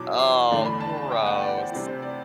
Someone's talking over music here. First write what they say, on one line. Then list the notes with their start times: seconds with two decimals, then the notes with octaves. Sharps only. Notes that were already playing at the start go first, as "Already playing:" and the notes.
Oh, gross.
Already playing: E2 B2 F#3 D6
0.19 C6
0.51 E2 D3 A3 D4
0.65 B5
0.80 A5
0.96 A5
1.12 G5
1.26 F#5
1.42 D5
1.57 C5
1.72 C3 G3 C4 E4 D5
1.87 C5
2.02 D5